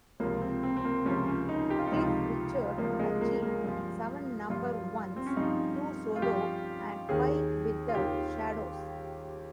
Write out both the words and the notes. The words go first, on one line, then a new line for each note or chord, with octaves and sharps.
Cliff Richard achieved seven number ones; two solo and five with the Shadows.
C#2 C3 F3 A#3
C4
C4
C4
A#3
C#2 C3 F3 C#4
C#4
D#4
G4
F4
D#4
C#2 C3 F3 F4
C#2 C3 F3 A#3
A#3
G#3
A#3
A#3
G2 F3
G2 F3 F4
C4
C#4
G2 F3 D#4
F4
G2 F3 G4
D#2 D#3 G#4
F4
D#2 D#3 G4